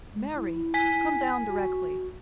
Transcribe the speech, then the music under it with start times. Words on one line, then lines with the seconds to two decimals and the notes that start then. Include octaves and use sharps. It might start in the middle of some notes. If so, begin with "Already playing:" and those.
"Mary! come down directly."
0.14 G#3
0.34 E4
0.74 G#5 B6
1.48 F#4